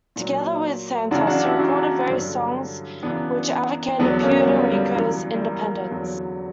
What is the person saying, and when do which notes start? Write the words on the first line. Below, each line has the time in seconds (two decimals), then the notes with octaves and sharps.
Together with Santos, he recorded various songs which advocated Puerto Rico's independence.
0.16 A#2 F#3
1.11 F#2 C#3 E3 D4 F#4
1.27 D4 F#4
1.43 E4 G4
1.59 D4 F#4
2.08 G2 D3 F#3
3.03 F#2 C#3 E3 B3 D4
3.99 E2 D3 F#3 B3 D4
4.23 A#3 C#4
4.47 G3 B3
4.71 G3
4.95 F#2 E3
5.34 G3
5.43 A#3
5.91 E2 D3 F#3